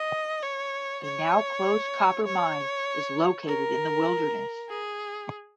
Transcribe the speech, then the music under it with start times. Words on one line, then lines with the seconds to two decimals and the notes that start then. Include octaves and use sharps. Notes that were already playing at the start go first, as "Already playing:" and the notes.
A now closed copper mine is located in the wilderness.
Already playing: D#5
0.43 C#5
1.03 C#5
2.26 C#5
3.47 A#4
4.69 G#4